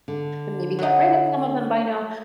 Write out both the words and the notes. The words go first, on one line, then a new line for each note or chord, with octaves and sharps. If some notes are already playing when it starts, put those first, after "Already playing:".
and maybe get rid of some of them by now,
D3
F#3 D#4